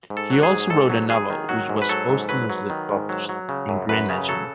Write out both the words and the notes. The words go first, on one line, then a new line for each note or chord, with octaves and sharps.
He also wrote a novel which was posthumously published: Engrenagem.
G#2
A4
F#3 F#4
G#4
G#2
G#2 A4
F#3
F#3 G#4
D#3
F#3 F#4
G#2
B4
F#3 A4
G#2
F#3 B4
F#3
D#3
G#2
F#3
F#3
C#3
F#2
F#2 B4
C#3
F#3 A4